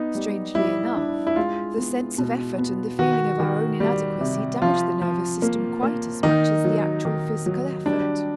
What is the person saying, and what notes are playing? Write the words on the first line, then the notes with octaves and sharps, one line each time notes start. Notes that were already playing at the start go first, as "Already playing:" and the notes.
Strangely enough, the sense of effort and the feeling of our own inadequacy damage the nervous system quite as much as the actual physical effort.
Already playing: B3 D#4
G3
G3 E4
D4
E4
G#3 F4
B3
B2
B3
D#3 F#4
D#3
G3
C3
F3 F4
F3
A#3
A#3
D#3 D#4
F#3
D#3
F#3
G3 D4